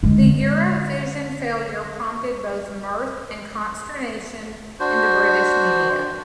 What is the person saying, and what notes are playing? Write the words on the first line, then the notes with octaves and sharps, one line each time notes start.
The Eurovision failure prompted both mirth and consternation in the British media.
D3 G#3
D4 F#4 C5